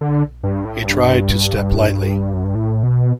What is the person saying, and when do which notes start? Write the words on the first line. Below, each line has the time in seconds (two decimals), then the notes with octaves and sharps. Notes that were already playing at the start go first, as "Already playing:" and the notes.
He tried to step lightly.
0.01 D3
0.43 G2
0.65 A2
0.85 G2
2.34 F#2
2.44 G2
2.55 A2
2.83 B2